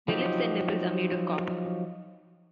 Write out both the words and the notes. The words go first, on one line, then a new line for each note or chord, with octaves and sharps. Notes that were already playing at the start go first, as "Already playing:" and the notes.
Their lips and nipples are made of copper.
F3 F#3 D#4 G4